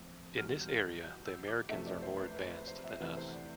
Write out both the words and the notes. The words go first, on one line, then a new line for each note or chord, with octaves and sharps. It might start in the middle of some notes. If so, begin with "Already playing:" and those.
In this area the Americans are far more advanced than us.
Already playing: F2 A3
E2 B2 G3 F6
G6
G6
G6
E6
D6
F2 C3 F3 A3 E5
D5
C5
B4
B4
B4
C5
E5
E2 C3 E3 A3 B4
C5
D5